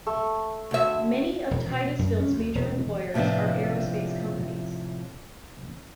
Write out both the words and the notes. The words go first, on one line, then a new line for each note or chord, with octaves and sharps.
Many of Titusville's major employers are aerospace companies.
A3
D2 E5
E1
B2
F#2
C#4
D2
E1
A2 C3 F3 B3 D4